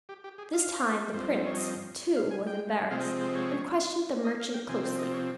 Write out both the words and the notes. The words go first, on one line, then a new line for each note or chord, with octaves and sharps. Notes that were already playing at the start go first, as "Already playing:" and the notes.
This time the prince, too, was embarrassed, and questioned the merchant closely.
G4
G4
G#4
F5
G2 F3 C4
C#5
D#5
F5
G#5
G5
C3 F3 G#3 C4 F5
D#5
C5
C#5
D#5
F5
G5
C3 F3 C4 G#5
G5
D#5
C#5